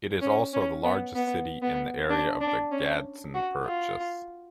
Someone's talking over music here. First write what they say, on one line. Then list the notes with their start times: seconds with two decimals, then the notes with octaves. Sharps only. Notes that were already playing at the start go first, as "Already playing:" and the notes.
It is also the largest city in the area of the Gadsden Purchase.
0.21 C#4
0.53 C#4
0.84 B3
1.15 B3
1.62 B3
2.10 D4
2.41 D4
2.72 C#4
3.35 F#4
3.65 F4